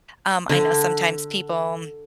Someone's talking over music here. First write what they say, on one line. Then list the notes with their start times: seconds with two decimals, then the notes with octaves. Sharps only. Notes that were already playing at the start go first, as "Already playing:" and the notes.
um, I know sometimes people,
0.49 D3